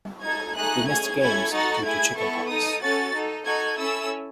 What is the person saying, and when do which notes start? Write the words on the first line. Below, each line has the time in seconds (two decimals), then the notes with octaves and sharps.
He missed games due to chicken pox.
0.21 D#4 A4 G#6
0.54 A3 D#4 G#4 F#6
0.86 C#4 G#4 G#6
1.19 C#4 E4 A4 G#6
1.51 D#4 F#4 A4 A6
1.83 A3 E4 G#4 G#6
2.16 B3 E4 A4 C#6
2.48 D#4 A4 D#6
2.81 C#4 F#4 A4 A6
3.13 D#4 A4
3.45 D#4 F#4 A4 G#6
3.78 C#4 E4 A4 E6